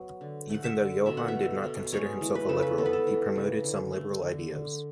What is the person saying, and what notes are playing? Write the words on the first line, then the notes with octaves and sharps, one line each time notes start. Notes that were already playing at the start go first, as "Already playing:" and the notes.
Even though Johann did not consider himself a liberal, he promoted some liberal ideas.
Already playing: F#3 B3
D3
A3 F#5
E5
D3
B2 E5
F#5
E5
A3
B2
G#3 C#5
E3
B4
C#3 A4
B4
B3 A4
B4
A4
E3
C#3
D3
A3
D3
D3